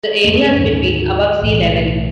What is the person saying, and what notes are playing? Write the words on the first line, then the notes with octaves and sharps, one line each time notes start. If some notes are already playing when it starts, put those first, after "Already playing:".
The area is between above sea level.
C#2 F#2 A3 A#3
D2 G#2 D#3
B1 A2 E3